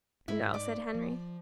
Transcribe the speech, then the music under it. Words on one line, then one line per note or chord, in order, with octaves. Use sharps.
"No," said Henry.
G#2 E4
D5
F3